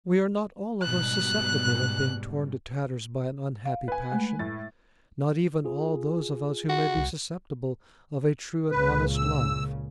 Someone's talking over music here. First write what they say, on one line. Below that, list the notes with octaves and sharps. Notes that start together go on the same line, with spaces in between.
We are not all of us susceptible of being torn to tatters by an unhappy passion; not even all those of us who may be susceptible of a true and honest love.
G#2 B2 G3 F#6
F5
B4 G#5
G#3 A3
A2 A6
F4 G#4
F#4
C2
C#2 A#2 C#3 B4
E6